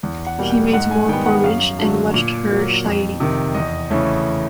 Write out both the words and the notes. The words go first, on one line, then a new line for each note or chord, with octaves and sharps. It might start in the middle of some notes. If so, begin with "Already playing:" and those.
He made more porridge and watched her shyly.
E2
F#5
B2 G3 A#3
G5
G#2 F#5
G#5
D#3 G3 B3 G5
F#5
F#2 F5
D3 F#3 A3
A#2
F#3 A#3
F2
C3 D#3
E2 D#5
C#3 E3 A3 C#4